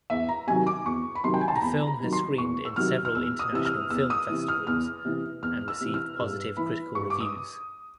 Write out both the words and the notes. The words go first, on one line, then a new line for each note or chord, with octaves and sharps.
The film has screened in several international film festivals and received positive critical reviews.
E2 E5
A#5
C3 D#3 F#3 G#5
D6
E2 C#6
B5
C3 D#3 F#3 C6
G5
G#5
A5
A#5
E2 B5
B5
A#5
C3 D#3 F#3
C6
E2 C#6
E6
C3 D#3 F#3 F6
F6
E2 E6
D#6
C3 E3 E6
F6
E2 E6
D#6
C3 E3
F6
E2 F6
C3 E3
E2 F6
E6
C3 E3
F6
G2 E6
E3 B5
G2 C#6
D6
D#6